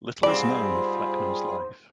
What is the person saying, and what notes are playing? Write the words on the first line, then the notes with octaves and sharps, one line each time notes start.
Little is known of Flecknoe's life.
G#2 G3 C4 F4 G#4 D5 B5